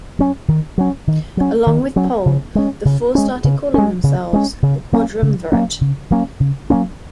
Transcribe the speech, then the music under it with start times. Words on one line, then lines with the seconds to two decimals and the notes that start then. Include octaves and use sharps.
Along with Pohl, the four started calling themselves the "Quadrumvirate".
0.19 F#3 C#4
0.48 D#3
0.78 F#3 C#4
1.07 D#3
1.37 F#3 C#4
1.66 D#3
1.96 F#3 C#4
2.26 C#3
2.55 G#3 C#4
2.85 C#3
3.15 G#3 C#4
3.44 C#3
3.74 G#3 C#4
4.03 C#3
4.33 G#3 C#4
4.63 C#3
4.92 F#3 A#3 C#4
5.22 C#3
5.52 F#3 A#3 C#4
5.81 C#3
6.10 F#3 A#3 C#4
6.40 C#3
6.70 F#3 A#3 C#4